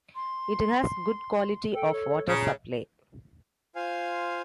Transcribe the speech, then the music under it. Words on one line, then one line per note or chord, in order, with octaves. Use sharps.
It has good quality of Water Supply.
C6
A4 G5
C#5
A#2 C#3 A#5
F4 C5 F5 G#5